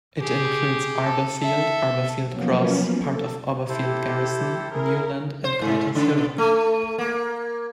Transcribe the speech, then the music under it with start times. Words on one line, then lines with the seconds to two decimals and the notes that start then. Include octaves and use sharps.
It includes Arborfield, Arborfield Cross, part of Arborfield Garrison, Newland and Carter's Hill.
0.21 G4 G#4
1.03 A4
1.39 A4 E5
2.27 F3 F#3 A#3 B3 C#4
2.93 A4
3.69 E4 G4 A4 C5
4.72 E4 G#4 A#4
5.44 C5
5.61 G#2
5.95 C#3
6.38 A3
6.98 A#3